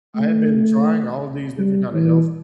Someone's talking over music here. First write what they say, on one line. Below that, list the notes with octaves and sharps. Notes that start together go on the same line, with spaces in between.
I had been trying all these different kind of health st
A3
G3
E3